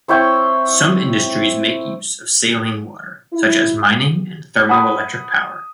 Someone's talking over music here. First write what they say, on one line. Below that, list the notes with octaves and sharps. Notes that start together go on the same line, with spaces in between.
Some industries make use of saline water, such as mining and thermo-electric power.
C4 E4 C#5 G5
E4
F#5 B5 D#6